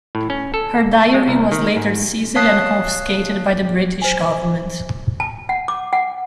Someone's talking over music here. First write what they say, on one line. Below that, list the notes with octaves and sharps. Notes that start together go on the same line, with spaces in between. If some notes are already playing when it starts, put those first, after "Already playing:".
Her diary was later seized and confiscated by the British government.
A2
C#4
A4
G#3
C2
D#3
G#2
C#5 F5 A5 D#6 F#6 C7
C5 G#5
A5
F#5
D6
F#5